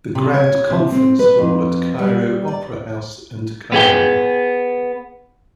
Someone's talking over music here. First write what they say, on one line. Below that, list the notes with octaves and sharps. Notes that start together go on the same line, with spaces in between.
The Grand Conference Hall at Cairo Opera House and Cairo.
C3
C#5
C3
C4
B4
F2
G3
D5
B3 G#4 G5